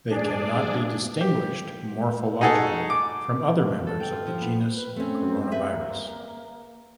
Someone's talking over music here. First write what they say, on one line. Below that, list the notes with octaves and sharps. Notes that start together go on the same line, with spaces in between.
They cannot be distinguished morphologically from other members of the genus "Coronavirus".
D4 G#4 D5
G4
D#4 F#4 G#4 A4
D6
A4
G5
F4
F3
B3
B4
A3 C4 C#4
G#4 B4 E5
A#3